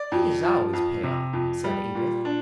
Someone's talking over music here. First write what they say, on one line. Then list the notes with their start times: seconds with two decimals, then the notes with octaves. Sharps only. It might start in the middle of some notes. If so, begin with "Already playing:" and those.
"He is always pale," said Edith.
Already playing: D5
0.12 F2
0.42 F3
0.73 F2
1.03 C3
1.33 F2
1.64 G3
1.95 A#2
2.25 D4